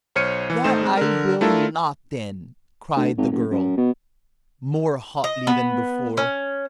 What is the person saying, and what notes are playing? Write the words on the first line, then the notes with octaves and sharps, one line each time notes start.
"That I will not then," cried the girl, more hotly than before.
B1 C5 C#5 F6 C#7 D#7
E3
G#1 A3 D#4 C5 E7
G#3 C4
D3 A#4
A3 D4 E4 F4 A4 A#4
D2
G#1
F#1
F#2
B2
D#5
B3
C#4